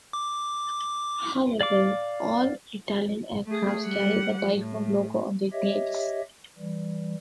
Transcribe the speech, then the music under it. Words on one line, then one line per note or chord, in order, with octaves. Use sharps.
However all Italian aircraft carry the "Typhoon" logo on their tails.
D6
D5 F5 D6
A3 G#4
G3 F#5
A2
G4 C#5 D#5 E5
E3 G3